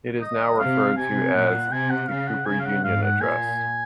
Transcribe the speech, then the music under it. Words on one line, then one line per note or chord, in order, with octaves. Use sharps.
It is now referred to as the Cooper Union Address.
D#5
C3 F5
C3 G#5
A#2 F#5
C3 G#5
F#5
C#3 F5
F#5
C#3 G#5
F5
F#5
G#2 F5
F#5
A#2 G#5